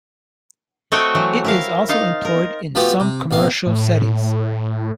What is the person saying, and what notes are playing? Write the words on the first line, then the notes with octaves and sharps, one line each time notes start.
It is also employed in some commercial settings.
A3 C4 F#4 C#5 D#5 G5
E3 F#3
E4 A#4 F5
D#4 F4 F5
A#4
F3 A3 B3 F#4 G4
C3
A1 B2 F5
A2